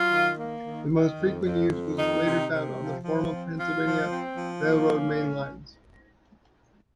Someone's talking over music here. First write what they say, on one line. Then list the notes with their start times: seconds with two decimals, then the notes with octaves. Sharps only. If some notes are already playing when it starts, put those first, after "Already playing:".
The most frequent use was later found on the former Pennsylvania Railroad main lines.
Already playing: F#3 F4
0.11 D#3
0.38 A#3
0.65 D#3
0.91 D#3
1.18 F2
1.44 F2
1.71 F2
1.97 D#3 D#4
2.24 C3
2.51 C3
2.77 F3
3.04 F3
3.31 C4
3.57 F3 F4
3.84 F3
4.10 C4
4.37 F3
4.64 A#3
4.90 C#4